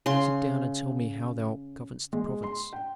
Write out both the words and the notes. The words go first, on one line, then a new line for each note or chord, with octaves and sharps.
"Sit down and tell me how thou governest the province."
C#3 C6
G#3
C6
G5